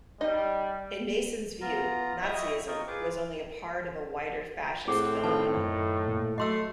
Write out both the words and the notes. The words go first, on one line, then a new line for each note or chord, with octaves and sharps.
In Mason's view, Nazism was only part of a wider fascist phenomenon.
G3 D#4 D#5
B3 F4 A#5
E4 D#5 E5 G5 C#6 D#6
D#4 F4 A#4 D#5 G5 C#6
F4 G#4 B4 C5 D6
A2 C4 G#4 F#5
D#3 A4 B4 A5
F#2 D#3
A#2
F#3 A3 D#5 C6 E6 C7